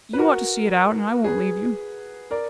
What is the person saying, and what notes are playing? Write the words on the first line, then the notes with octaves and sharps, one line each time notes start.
You ought to see it out, and I won't leave you.
B4
F#4 A#4
G#4 B4
A#4 D5